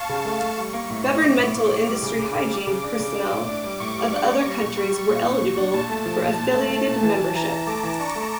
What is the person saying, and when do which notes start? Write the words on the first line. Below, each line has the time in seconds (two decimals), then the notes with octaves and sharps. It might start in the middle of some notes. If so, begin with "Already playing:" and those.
Governmental industrial hygiene personnel of other countries were eligible for affiliated membership.
Already playing: F5 A5 C#6
0.09 C#3
0.25 A3
0.41 A3
0.58 G3 C#6
0.73 A#3
0.90 A2
1.06 A2
1.22 A2 D6
1.38 A2
1.54 A2
1.71 A2
1.86 G3 D6
2.03 C#3
2.18 C#3 D6
2.35 C#3
2.51 G3 D6
2.67 C#3
2.84 D4
3.00 C#3
3.15 D4
3.32 A2
3.48 D4
3.64 G3
3.80 A2 C#6
3.96 G3
4.12 D4
4.28 A#3
4.45 G3
4.61 A#2
4.77 G3
4.93 G3
5.09 A#2
5.25 A#2
5.41 A#2
5.57 D4
5.73 A#2 A5
5.90 A3
6.05 F3
6.22 A#2
6.38 A#2 A5
6.54 A3
6.70 A3
6.86 A#2
7.03 E3 A5
7.19 E3
7.35 E3 A#5
7.51 E3
7.67 A3 D6
7.83 E3
7.99 D4 C#6
8.16 A3